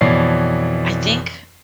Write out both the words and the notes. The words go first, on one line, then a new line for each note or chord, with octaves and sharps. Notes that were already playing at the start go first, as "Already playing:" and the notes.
I think
F2 B2 E3 C#5 D5 C7